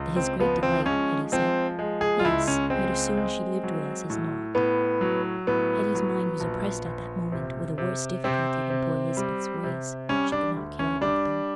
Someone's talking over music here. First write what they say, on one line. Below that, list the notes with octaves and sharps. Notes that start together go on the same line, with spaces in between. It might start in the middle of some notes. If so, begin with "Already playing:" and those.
To his great delight, Hetty said, "Yes; I'd as soon she lived with us as not." Hetty's mind was oppressed at that moment with a worse difficulty than poor Lisbeth's ways; she could not care about them.
Already playing: C#2
C4
F3 B3
C4
G#3 C#4
F3 C4
G#3
G#4
F4
C#2 E4
C#4
G#3 C4
G#3
F#3
A2
A2 B3
F#3
A2 B3
F#3
A#1
A#1
C3
C3
C3 C4
C3
G3
C3
G3 C#4
D4
D2
C#4
G3 D4